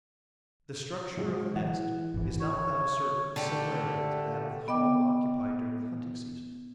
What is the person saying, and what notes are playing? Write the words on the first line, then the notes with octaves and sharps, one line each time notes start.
The structure of the nest is not without a certain similarity to that of the home occupied during the hunting-season.
F#3 G#3 F#4
E3 F#5
G#1 E3
C#5
D3 A3 G4
B3 D#5 G5 D6